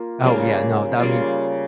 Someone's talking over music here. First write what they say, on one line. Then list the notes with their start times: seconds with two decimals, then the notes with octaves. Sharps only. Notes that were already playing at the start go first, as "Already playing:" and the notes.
Oh, yeah, no, that mean
Already playing: A#3 F4
0.23 C#3 G3 A#3 F4
1.00 C#3 G3 A#3 F4